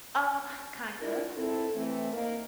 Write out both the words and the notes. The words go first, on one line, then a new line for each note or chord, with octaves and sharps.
Um, kind of,
D4 E4 F4 A#4
G#2 C4 E4 A4
E3 A3 C4
A#3 D#4 A#4